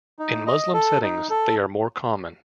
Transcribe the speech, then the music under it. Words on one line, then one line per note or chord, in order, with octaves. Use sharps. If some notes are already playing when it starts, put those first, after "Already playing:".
In Muslim settings they are more common.
D#4
D#5
A4
D#4
A4